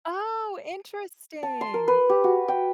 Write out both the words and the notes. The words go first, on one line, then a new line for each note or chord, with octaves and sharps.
Oh, interesting!
A5
C6
A#4
B4
G4
F#4
G5